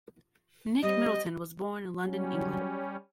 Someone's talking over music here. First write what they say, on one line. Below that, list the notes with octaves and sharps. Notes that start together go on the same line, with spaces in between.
Nick Middleton was born in London, England.
G3 C4 D#5
F#3 G3 C#4